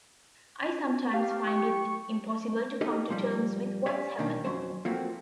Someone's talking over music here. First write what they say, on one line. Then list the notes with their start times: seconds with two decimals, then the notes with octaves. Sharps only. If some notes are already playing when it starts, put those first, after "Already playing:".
I sometimes find it impossible to come to terms with what's happening.
1.13 G4 F5
1.47 C#6
2.81 D#4 G4 A4 D#5
3.09 A#2 F3 G3
3.86 G4 C#5 D5 E5 F5 G#5
4.18 B2 D#3 A#3 C#4 D4
4.45 F2 F#3 C#4 C5
4.85 F3 A3 A#3 C4 F#4